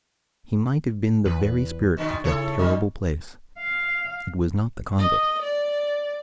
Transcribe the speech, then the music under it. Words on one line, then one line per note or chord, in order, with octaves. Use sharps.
He might have been the very spirit of that terrible place. It was not the convict.
E2 B4
B2 D3 D#3
C#3 E4 A4 C#5
F#3 D#4
F5
D#5
D5